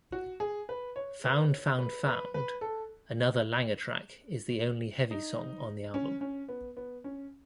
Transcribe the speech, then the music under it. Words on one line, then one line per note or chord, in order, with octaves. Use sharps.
"Found Found Found", another Langer track, is the only heavy song on the album.
F#4
G#4
B4
C#5
B4
C#5
B4
B4
B4
A4
D#4
C#4
C#4
B3
B3
C#4